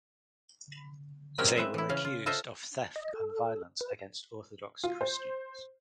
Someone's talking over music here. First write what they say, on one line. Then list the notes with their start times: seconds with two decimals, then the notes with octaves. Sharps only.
They were accused of theft and violence against orthodox Christians.
1.38 F#3 G#3 A#3 C4 C#4 G4
1.56 G#3 C4 B4 E5
1.74 E3 E4
1.89 C#3 C#4 F5
2.05 F4
2.26 F4 A4 C5 D#5 E5
2.96 D#5
3.14 A4
3.81 B4
4.84 F4
5.01 C5